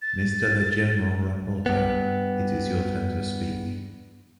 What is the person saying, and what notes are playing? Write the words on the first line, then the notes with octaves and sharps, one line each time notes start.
Mr. the General Rapporteur, it is your turn to speak.
A6
G2 B3